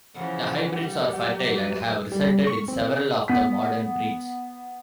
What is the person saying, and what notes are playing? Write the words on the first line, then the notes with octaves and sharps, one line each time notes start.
The hybrids are fertile and have resulted in several of the modern breeds.
C#3 E3 F3 F#5
G3 G4
F#3
B4
G3
C#6
C4
B3 B6